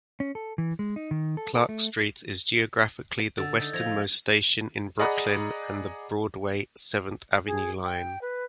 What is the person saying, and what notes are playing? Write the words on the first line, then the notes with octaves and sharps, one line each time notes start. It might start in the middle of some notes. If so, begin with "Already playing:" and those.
Clark Street is geographically the westernmost station in Brooklyn on the Broadway-Seventh Avenue Line.
C#4
A4
E3
G#3
D#4
D#3
A4
A4
A3
D3 E6 A6
D#4
F3 G#6 A#6 F7
G#4 D5 D#5 F#5 A#5 B5
G#4
G5
B4